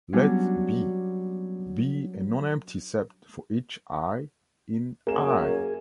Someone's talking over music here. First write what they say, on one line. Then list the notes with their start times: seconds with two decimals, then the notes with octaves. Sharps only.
Let "B" be a non-empty set for each "i" in "I".
0.13 F#3 G3 B3 C#4 D4
5.07 F#2 A#3 G#4 E7